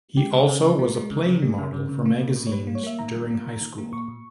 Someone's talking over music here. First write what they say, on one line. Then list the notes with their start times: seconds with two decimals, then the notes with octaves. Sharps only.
He also was a plane model for magazines during high school.
0.17 G#3 G4
0.32 C#3 G4
0.48 C#3 G#4
0.63 G#3 A#4
0.79 G#3
0.95 G#3
1.11 C#3
1.26 C#3
1.42 G3
1.58 C#3
1.73 C#3
1.89 C#3
2.05 A#3
2.21 A#2
2.36 A#2
2.47 C#5
2.52 G3 B4
2.67 A#3
2.75 C#5
2.83 A#3 E5
2.99 D#3 A#5
3.15 G3
3.31 A#3
3.46 D#3
3.61 D#3
3.78 A#3
3.93 A#2 C#6
4.08 A#2